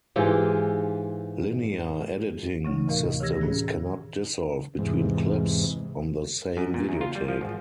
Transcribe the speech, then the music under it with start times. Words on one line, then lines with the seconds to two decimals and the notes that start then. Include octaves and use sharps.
Linear editing systems cannot dissolve between clips on the same video tape.
0.16 G#2 E3 F4 G4
2.65 E3 A3 D#4
2.88 D2 A2 C3 A#4 D#5 F5
3.20 D#3 E3 G4 E6 G#6 A#6
3.41 A2 C#4 G#4
4.79 E2 G#2 C3
6.57 F#2
6.74 A#2
6.89 E2
7.01 F4
7.15 G3
7.28 F3
7.41 G#1